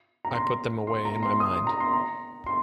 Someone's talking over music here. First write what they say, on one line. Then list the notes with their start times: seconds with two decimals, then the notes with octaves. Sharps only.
I put them away in my mind.
0.25 A#5
0.34 C6
0.87 C6
1.05 A#5
1.23 C6
1.40 D#6
1.54 C6
1.67 A#5
1.80 C6
1.93 A#5
2.46 C6